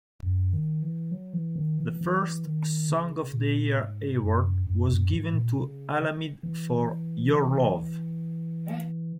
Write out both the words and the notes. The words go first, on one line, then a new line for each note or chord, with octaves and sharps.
The first "Song of the Year Award" was given to Alamid for "Your Love".
F#2
D#3
E3
F#3
E3
D#3
E3
E3
D#3
C#3
A#2
G#2
F#2
F#2
F#2
G#2
A#2
C#3
E3